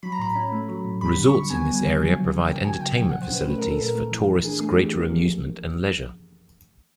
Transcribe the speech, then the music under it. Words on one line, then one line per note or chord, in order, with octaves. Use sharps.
Resorts in this area provide entertainment facilities for tourists' greater amusement and leisure.
F#3 B5
A#5
A2 B5
C#4
A3
F#3
A2
G3 B5
D3
C#6
D3
B3 G#5
G3
D3
F#3
C#3
C#3
A#3 G5
F#3 G#5
C#3 G5
F3 G5
F#5
A#2
C5
C#4 B4
A3 B4
F3 A#4
A4
A#2 A#4
A3
E3
E3
D4 G#4
A3 G#4
E3 G4
A#3
F3